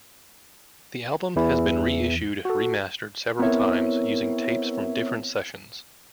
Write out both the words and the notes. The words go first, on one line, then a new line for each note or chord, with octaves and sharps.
The album has been re-issued remastered several times using tapes from different sessions.
E2 E3 E4
F#4 A4
B3 C4 E4 A#4 C#5 E5